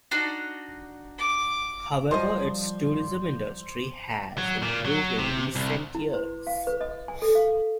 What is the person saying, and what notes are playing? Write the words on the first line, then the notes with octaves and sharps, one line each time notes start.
However, its tourism industry has improved in recent years.
D4 D#4 F#4
D6
F3 G3 C5 D#5
F#3
A#2
F#3
C3
C2
E4
B4
F5
B4
D#5
G#5
A4
F5